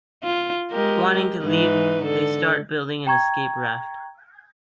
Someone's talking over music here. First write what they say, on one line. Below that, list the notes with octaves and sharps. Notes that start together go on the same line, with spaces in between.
Wanting to leave, they start building an escape raft.
F4
G#3 G4 A#4
G#2 E3 B4
D3 A4
G5 A#5 C#6 G#6